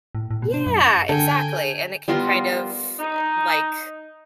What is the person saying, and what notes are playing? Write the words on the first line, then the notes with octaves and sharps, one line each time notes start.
Yeah! Exactly, and it can kind of, uh, like,
A2
A2
B2
D4
F#2
D3 A4 G5 G#5
G3 B3 F4 A#4
D#4